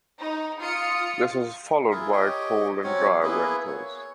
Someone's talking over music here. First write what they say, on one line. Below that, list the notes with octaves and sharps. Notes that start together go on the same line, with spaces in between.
This is followed by cold and dry winters.
D#4
F4 D#6 F6 C#7
E4 F4 G#4 A#4
G4 C#5 D#5 G5
F#3 C4 C#4 C#5
A#3 B3 E4 G#4
C#5